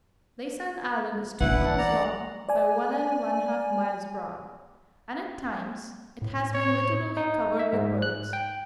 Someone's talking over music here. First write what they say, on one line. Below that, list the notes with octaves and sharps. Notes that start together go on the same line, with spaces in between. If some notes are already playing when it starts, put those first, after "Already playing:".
Laysan Island is two miles long by one and one-half miles broad, and at times it has been literally covered with birds.
A#1 E4 B4 F#5
E3
D5 A#5
D5 G#5
A2
C#5
D#4
E5
G#2
F#6
G5